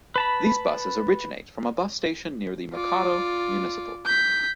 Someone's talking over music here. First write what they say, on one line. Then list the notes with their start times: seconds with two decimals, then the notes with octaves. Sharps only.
These buses originate from a bus station near the Mercado Municipal.
0.16 B4 A5 B5
2.73 F4 D5
4.05 G6 B6